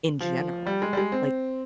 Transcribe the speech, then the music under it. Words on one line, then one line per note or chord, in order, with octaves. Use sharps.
in general. Like,
F3
G3
G#3
G3
G#3
C4